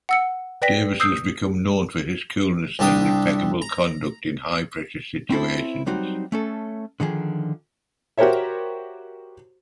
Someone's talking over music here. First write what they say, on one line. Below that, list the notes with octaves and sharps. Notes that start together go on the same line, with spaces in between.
Davis has become known for his coolness and impeccable conduct in high-pressure situations.
F#5 E6 C#7
B4 D5 G5 A#6 B6
D#6 E6 G6 C7
C2 D4 G4 D#6
A#5
C4 C#4 E4 F4 A4 C5
F#3 G3 C4 D#4 F#4
A3 C#4 A4
D3 D#3 F3 G#4
F#4 G4 A#4 C5 C#5 E5